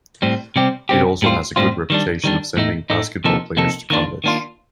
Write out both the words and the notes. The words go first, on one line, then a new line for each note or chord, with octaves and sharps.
It also has a good reputation of sending basketball players to college.
A2 G3 C4
C3 G3 C4 G4
C3 G3 C4 G4
A2 G3 C4 F4
A2 G3 C4 F4
D#3 G3 D4
D#3 G3 D4
A2 A3 D#4
A2 A3 D#4
C3 F3 A#3 D#4 A4
C3 F3 A#3 D#4 A4
D#3 A#3 D4 F4
D#3 A#3 D4 F4